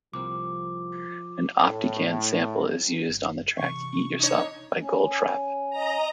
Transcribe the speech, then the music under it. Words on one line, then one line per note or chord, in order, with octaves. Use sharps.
An Optigan sample is used on the track "Eat Yourself", by Goldfrapp.
C2 F3 A#3 C4 D6
A2
G1
C3 E3 C#6
D4 D#4 C#5
C#4
D#5 A#5